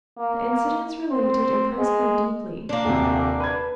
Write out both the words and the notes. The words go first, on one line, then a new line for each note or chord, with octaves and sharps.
The incidents related impressed me deeply.
A#3
C4
G#3
A#3 D4
D#1 C3
B4 G#6